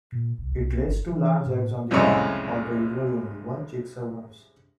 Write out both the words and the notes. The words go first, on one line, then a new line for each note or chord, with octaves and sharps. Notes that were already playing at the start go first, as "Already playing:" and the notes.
It lays two large eggs on the ground, although usually only one chick survives.
A#2
C2
C2
G1
E3
A2
C2 F2 A2 C#3 G#3 C#5